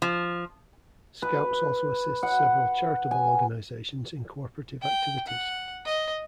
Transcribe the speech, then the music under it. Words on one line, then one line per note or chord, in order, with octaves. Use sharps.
Scouts also assist several charitable organizations in co-operative activities.
F3
B4
F#5
G#5
G5
F#5
D#5